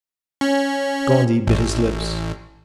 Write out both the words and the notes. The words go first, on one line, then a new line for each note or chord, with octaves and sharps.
Gondy bit his lips.
C#4
A1